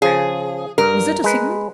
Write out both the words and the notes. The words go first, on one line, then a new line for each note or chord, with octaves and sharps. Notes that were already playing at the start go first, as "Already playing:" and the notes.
Was it a signal?
C#3 F3 G#4
G2 A#4
G#3 B4